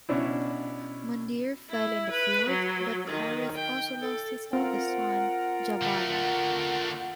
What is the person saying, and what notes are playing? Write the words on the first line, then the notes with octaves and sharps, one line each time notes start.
Mundhir fell in the field, but Harith also lost his eldest son Jabalah.
B2 C#4 D4 E4
E4
B4
F#3
D#3
G5
A4
C4 F4 A#4 F#5
D3 A3 F#5